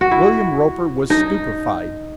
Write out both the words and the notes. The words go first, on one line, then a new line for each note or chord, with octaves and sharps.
William Roper was stupefied.
F#4
E4
D#4